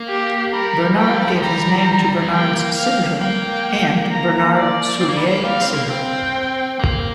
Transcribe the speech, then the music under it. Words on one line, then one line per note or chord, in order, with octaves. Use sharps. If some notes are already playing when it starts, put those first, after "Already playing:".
Bernard gave his name to Bernard's syndrome and Bernard-Soulier syndrome.
Already playing: A#3
G4
G3 A#4
G5
F3
G3 A#5
C4
A#3 G5
F5
A#3 G5
A#5
D5
C4
A#3
G3
A#3
G3 F5
C4
A#3
C4 G5
A#3